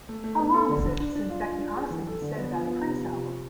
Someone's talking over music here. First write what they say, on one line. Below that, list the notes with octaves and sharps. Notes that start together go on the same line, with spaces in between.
How long is it since that can honestly be said about a Prince album?
A3
A3
B3
A4
D3
D4
D4
D4
F4
F4
D4
G#4
E3
A4
D3
B3
F3
B3
C3
F3
C3
C3